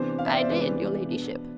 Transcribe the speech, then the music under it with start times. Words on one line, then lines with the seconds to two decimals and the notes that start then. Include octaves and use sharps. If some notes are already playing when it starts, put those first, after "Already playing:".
"I did, your ladyship."
Already playing: C3 E3 B3 D4 C5
0.19 F5
0.26 E5
0.34 D5
0.42 C5
0.50 C3 E3 G#3 B3 D4 B4
1.09 B2 B3 D4